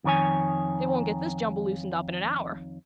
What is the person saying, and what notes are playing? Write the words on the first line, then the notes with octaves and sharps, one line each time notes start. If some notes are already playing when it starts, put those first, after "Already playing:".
They won't get this jumble loosened up in an hour.
F2 D#3 C#5 G#5